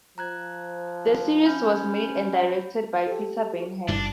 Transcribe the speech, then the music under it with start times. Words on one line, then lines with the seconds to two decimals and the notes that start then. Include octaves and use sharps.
The series was made and directed by Peter Baynham.
0.18 F3 A#5 F#6 G#6
1.45 C#4 B5 G6
3.07 G4 A4
3.88 G#1 G2 F3 D4